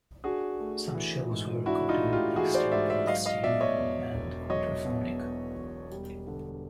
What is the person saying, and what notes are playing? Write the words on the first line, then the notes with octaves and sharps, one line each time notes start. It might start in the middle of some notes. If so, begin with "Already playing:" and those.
Some shows were recorded and mixed in both stereo and quadraphonic.
D4 F#4 G#4
A3
E3
G#2
D4 E4 F#4
D#4 F4
A3
F4 G4
E3 F#4 G#4
C5 D5
G#2 D5 E5
D5 E5
F#3 D#5 F5
D#5 F5
B2 D5 E5
C#5 D#5
E2
E1
F#3 C#5 D#5
B2
E2
E1
G3
D3